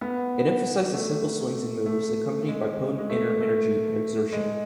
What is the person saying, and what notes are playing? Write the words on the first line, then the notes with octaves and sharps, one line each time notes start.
It emphasises simple swings and moves accompanied by potent inner energy exertion.
B3
A3
A3
G#3
G#3
A3
A3
G#3